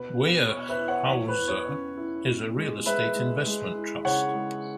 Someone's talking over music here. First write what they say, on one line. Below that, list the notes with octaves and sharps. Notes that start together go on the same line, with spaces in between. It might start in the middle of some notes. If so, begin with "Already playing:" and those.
Weyerhaeuser is a real estate investment trust.
Already playing: B2 B3 B4
B3
B2 C#5
B4 E5
E4
C#5 F#5
E3 C#5
B4
E2
C#5
C#4
E4
B2
G#3
G#3 B4 E5
G#3
G#3
E4
C#3 C#5 F#5
G#3